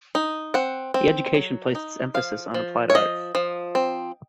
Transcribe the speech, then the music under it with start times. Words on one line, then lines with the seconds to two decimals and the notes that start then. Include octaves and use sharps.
The education placed its emphasis on applied arts.
0.15 D#4
0.54 C4 F#5
0.94 C4
1.34 F#3
1.75 D#4
2.14 F3 F5
2.54 F3
2.90 C#5
2.95 F3 D#5
3.35 F3
3.75 C4